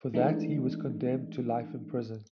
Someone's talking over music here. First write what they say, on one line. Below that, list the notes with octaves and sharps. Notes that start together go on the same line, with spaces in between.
For that, he was condemned to life in prison.
E3 G#3 A3 D4 D#4